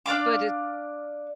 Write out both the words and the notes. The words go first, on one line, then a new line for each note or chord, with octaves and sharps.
But it
D4 D5 F5 D6